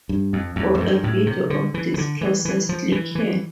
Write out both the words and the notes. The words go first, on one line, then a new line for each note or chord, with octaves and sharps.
For a video of this process click here.
G2
F2
E2
F2
G2
A2
C3
D3
E3
E3
D3
E3
E3
F3
E3
E3